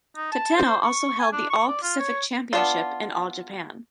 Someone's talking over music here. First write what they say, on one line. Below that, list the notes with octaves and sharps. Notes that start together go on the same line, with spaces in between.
Tateno also held the All Pacific Championship in All Japan.
D#4
A5
C5
C#6
G#5
D4
C#6
D5
F4
C#5
B3 D4 F4